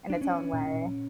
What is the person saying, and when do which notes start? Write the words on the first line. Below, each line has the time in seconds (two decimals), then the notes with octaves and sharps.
in its own way.
0.10 D4
0.21 C#4
0.53 A#2